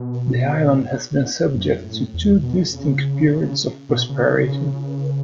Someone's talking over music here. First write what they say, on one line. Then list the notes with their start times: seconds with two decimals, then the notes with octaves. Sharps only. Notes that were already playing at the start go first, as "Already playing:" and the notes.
The island has been subject to two distinct periods of prosperity.
Already playing: B2
1.55 F#2
1.84 A2
2.14 E2
2.43 B2
2.73 C#3
3.89 B2
4.09 C#3
4.29 C#3